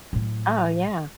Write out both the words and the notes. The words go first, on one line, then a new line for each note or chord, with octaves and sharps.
Oh, yeah.
A2 F#3